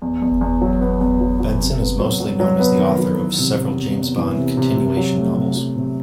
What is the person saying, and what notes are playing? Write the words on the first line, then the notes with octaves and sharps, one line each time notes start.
Benson is mostly known as the author of several James Bond continuation novels.
E2
E2
E2
F#3
B3
E2
F#3
F#3
C3
B3
F#3
F#3
F#3
B3
D#3
F#3
E3
C3
C3
E2
E2
E3
C3
C3
C3
F#3
A3
C3
F#3
C3